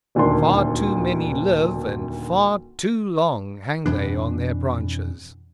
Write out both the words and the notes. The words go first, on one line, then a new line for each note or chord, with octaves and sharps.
Far too many live, and far too long hang they on their branches.
D#1 D2 D#3 D4 C6
F2 B2 E3 D4